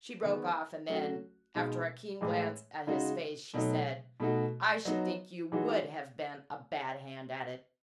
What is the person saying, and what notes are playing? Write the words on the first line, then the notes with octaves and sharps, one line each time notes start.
She broke off, and then, after a keen glance at his face, she said: "I should think you WOULD have been a 'bad hand at it'!"
D#3 G#3 B3
F#3 A3 C#4 F#4
B2 G#3 D#4
A2 E3 G#3
C#3 G#3 D#4 F#4
B2 F#3 A3 D#4
B2 A3 D#4 F#4
F#3 B3 D#4 F#4
E3 G#3 D#4 F#4